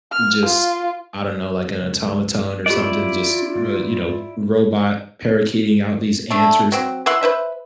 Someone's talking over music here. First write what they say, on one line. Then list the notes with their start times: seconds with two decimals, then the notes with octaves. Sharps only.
just, I don't know, like an automaton or something, just r r you know, robot parakeeting out these answers.
0.12 F6
0.46 F4
1.82 F#1 C#2
2.66 E2 G2 E4 F4 G4 D5 D#5
3.55 G#2 G#3
6.31 A3 D4
6.72 F#3 C4
7.06 E3 E5 F#5 C6
7.23 B4 C5 E5